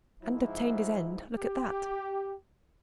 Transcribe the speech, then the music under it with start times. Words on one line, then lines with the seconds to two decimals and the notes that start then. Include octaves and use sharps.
"And obtained his end; look at that."
0.23 G#2 F3 E4
1.36 G4